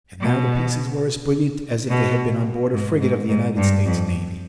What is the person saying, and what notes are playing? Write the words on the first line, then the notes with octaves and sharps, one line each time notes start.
And now the pieces were as brilliant as if they had been on board a frigate of the United States Navy.
B2
B2
G#2
G#2
G#2
G2
F2